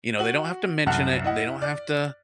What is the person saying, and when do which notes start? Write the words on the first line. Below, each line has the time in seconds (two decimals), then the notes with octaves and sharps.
you know, they don't have to mention it, they don't have to
0.19 F#4 F#7
0.86 C2 F#2 F#5 A5 F6 F#6
1.24 E4 D#5 F#5
1.62 D5